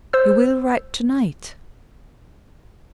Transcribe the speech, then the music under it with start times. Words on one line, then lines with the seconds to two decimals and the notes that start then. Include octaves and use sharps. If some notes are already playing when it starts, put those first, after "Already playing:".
'You will write to-night?
0.13 C5 E6